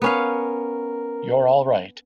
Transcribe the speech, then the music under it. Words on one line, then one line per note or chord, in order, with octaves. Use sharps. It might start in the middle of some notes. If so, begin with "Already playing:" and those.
You're all right.
B3 C#4 A#4 F5